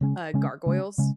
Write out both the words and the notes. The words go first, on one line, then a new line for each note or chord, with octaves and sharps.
uh, Gargoyles?
C#3 G#3 C#4
C#3 G#3 C#4
C#3 G#3 C#4
C#3 G#3 C#4